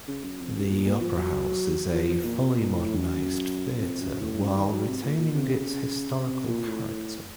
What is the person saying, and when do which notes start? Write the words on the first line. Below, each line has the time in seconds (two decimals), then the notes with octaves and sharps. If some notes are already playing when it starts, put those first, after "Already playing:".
The Opera House is a fully modernized theatre while retaining its historical character.
0.08 C#3
0.24 F#2
0.39 F2
0.55 F#2
0.70 A#2
0.85 A#2
1.01 F3
1.16 F#3
1.93 F3
2.09 F3
2.24 A#2
2.40 C3
2.56 A#2
2.76 A2
2.97 F#2
3.79 F2
4.00 F#2
4.21 A2
4.41 F#2
4.57 D#3
4.72 F#3
4.88 C3
5.03 A#2
5.18 A#2
5.33 C3
5.49 C#3
6.26 C3
6.48 A#2
6.68 A2
6.88 A2